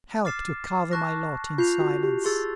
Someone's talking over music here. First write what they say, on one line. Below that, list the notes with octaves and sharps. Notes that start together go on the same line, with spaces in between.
Help to cover my lot in silence.
D6 F6 A6 C7 E7
A5 C#6 F#6 A#6
F4 G6 C7 F7
F#4
G4
G#4 C6 E6 A6